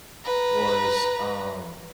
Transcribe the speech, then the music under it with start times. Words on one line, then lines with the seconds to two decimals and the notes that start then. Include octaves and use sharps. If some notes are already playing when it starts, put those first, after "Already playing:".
was, um
0.25 B4 A#5